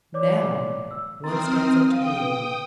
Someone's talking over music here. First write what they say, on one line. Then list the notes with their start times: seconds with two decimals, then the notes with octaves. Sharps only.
Now One stands up to read.
0.14 C#5 D5 D6
0.91 E6
1.24 C4 A#5 C6 D#6 F6 A6
1.92 F5 G5 D#6
2.21 B4